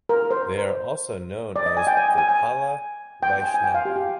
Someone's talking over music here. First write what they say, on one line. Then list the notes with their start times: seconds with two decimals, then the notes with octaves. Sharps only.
They are also known as Gopala Vaishnava.
0.09 A#4
0.31 C5
1.56 D5
1.66 D#5
1.77 G#5
1.87 G5
1.97 G#5
2.18 G#5
2.29 G#5
3.23 G5
3.33 G5
3.43 G#5
3.54 G#5
3.64 G5
3.74 F5
3.85 G4
3.96 G4